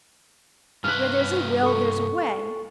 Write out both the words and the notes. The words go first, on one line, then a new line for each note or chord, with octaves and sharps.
Where there's a will, there's a way.
G2 C3 B4 F6 F#6
A4 C#6